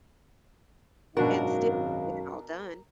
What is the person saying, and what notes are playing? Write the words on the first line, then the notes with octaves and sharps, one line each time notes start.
and still get it all done.
G#1 F#2 B2 D4 D#4 F#4 A#4 F5